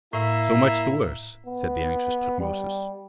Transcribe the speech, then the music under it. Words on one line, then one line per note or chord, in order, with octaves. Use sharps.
"So much the worse," said the anxious Tutmosis.
A2 A#3 E4 E5
B3
G3